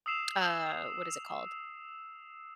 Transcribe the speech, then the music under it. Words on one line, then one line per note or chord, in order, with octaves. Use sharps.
a, what is it called?
D#6 E6 C7 E7 F7